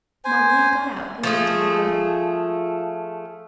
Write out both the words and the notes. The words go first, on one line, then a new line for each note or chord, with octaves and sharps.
Marguerite got out and went in alone.
C5 G#5
F3 A3 G#4